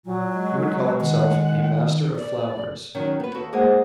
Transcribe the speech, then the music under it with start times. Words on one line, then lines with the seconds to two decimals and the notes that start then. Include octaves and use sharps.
He would call himself a Master of Flowers.
0.06 A#2 F#3
0.35 G#3
1.01 D#3 F#5
2.16 D5
2.95 D#3 F#3 C#4
3.20 B3 B4
3.34 D#2 F#4 A4
3.53 G#3 A#3 G#4 C5 D#5 F#5